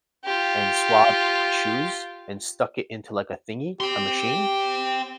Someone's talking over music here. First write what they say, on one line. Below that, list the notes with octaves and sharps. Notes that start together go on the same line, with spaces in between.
and swabbed my shoes, and stuck it into, like, a thingy, a machine,
F4 G4
G4 G5 C6